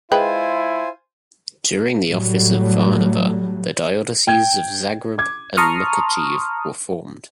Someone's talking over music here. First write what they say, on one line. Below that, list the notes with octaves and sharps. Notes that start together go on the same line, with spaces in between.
During the office of Varnava, the dioceses of Zagreb and Mukacheve were formed.
G#3 E4 F4 B4 C5 G5 G#5
A2 F#3 G3 A3
G5 G#6
D6 G#6
A5 A#5 C6 C#6 D#6 F6